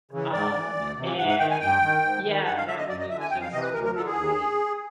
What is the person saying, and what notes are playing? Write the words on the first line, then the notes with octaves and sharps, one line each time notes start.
Um, and yeah, that movie was just really, really,
C#3 E3
G#2 D5
E3
D2
C3 E3
G#2 F#5
F#5
D#3 G5
G#5
G2 G5
D#3
G#2
D#3
G2 F#5
F5
D3 E5
D#5
F#2 D5
D#5
D3 E5
G#5
F2 G5
F5
C3 E3 D#5
B4
D2 A#4
A#4
D3 A4
G#4
D#2